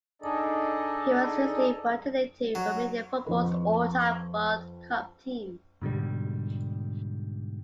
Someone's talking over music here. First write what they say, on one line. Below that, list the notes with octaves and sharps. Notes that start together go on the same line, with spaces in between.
He was recently voted into Romanian footballs all-time World Cup team.
D4 D#4 G#4 A4 D5 D#5
F#3
F2 B4 D#5
G#2 B2 D3 G3